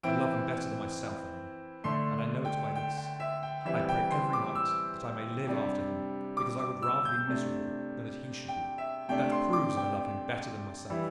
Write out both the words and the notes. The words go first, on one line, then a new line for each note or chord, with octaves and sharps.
I love him better than myself, Ellen; and I know it by this: I pray every night that I may live after him; because I would rather be miserable than that he should be: that proves I love him better than myself.'
E3 C4 E4 D7
D3 A3 D4 C6
G5
G5
G5
E5
G5
E3 G3 C4 E5
G5
C6
D6
E6
C3 G3 D4
D6
D6
E6
G6
C3 A3 D4
G5
E5
C3 A3 D4 G5
C6
D6
G5
E3 G3 E4